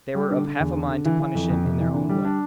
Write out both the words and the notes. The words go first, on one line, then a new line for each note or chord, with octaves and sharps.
They were of half a mind to punish him in their own way.
G3
D3
D3
E2
D3
D3
E3
E3
F2
F2
C3
E3
D3
G3
D4